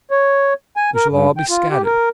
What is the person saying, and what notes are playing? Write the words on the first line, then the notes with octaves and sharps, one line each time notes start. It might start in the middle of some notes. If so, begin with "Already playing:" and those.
We shall all be scattered.
C#5
G#5
A#4
G2
G5
F4
G4
A#4